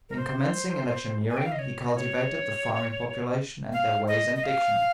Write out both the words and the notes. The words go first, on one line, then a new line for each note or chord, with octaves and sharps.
In commencing electioneering, he cultivated the farming population and their ways and diction.
A#4
C5
G#5
G5
F5
D#5
C#5
D#5
C#5
F5
D#5
D#5
F5